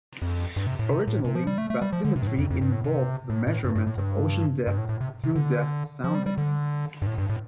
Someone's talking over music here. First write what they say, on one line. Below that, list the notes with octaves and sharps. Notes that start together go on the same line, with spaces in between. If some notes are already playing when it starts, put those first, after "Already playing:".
Originally, bathymetry involved the measurement of ocean depth through depth sounding.
F2
G2
C3
A2
C3
A2
C3
F3
G3
A3
A3
G3
F3
D3
C3
G2
A2
F2
F2
G2
A2
C3
A2
A2
G2
G2
A2
G2
G2
A2
A2
C3
C3
D3
F3
G3
G3
D3
G2
A2
G2
A2